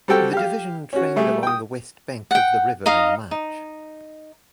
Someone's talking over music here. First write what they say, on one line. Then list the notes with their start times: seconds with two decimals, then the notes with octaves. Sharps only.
The division trained along the west bank of the river in March.
0.08 G3 C4 F#4 A4 G5
0.33 G4 F5
0.93 C#4 F#4
1.16 G3 A3 G#4
1.43 G5 D#6
2.31 F#5 G5
2.86 D#4 D#5 F5
3.31 D#4